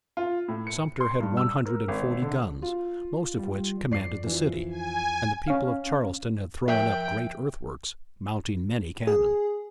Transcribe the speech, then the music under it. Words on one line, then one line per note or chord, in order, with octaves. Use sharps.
Sumter had one hundred and forty guns, most of which commanded the city, and the people of Charleston had thrown up great earthworks, mounting many cannon.
F4
A2
C#7
C6
G2
E6
A#4
G#1
D3
F4
G3
F2 D5 C7
E3 F3
G#5
C#4 F5
F3 E5 G5 F#7
G#4